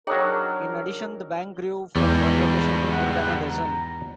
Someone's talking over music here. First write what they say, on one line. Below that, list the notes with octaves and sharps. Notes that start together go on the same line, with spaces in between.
In addition the bank grew from one location to more than a dozen.
F#3 D4 D#4 G#4 A#4 C#5 G5
E2 G#2 G3 D5
F#5
A#5